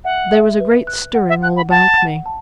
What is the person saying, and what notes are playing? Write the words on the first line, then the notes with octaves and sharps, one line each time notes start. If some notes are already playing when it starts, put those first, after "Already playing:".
There was a great stirring all about me.
E5 F#5
E5
B4
F#6
F#5
E5
F#5 F#6
B5
F#5 A5
F#5
A5